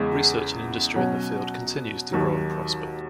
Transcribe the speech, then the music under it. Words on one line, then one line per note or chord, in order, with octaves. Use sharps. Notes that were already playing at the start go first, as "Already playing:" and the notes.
Research and industry in the field continues to grow and prosper.
Already playing: E2 C#3 G#3 C#4
B2 F#3 C#4
D#2 D#3 F#3